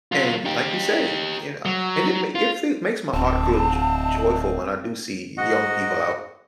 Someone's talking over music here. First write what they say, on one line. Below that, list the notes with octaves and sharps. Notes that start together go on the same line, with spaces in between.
and, like you say, you know, and it ma it feel makes my heart feel jo joyful when I do see young people out
F#3 F4
D#4 G4
F#3
F4
D1 C4 A5
G#2 F#4 D#5 F#5